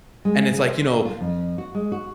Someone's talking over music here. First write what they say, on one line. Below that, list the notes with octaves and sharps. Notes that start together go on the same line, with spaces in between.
And it's like, you know,
G#3
C#3
C5
F4
F2
F#4
G#3
F#4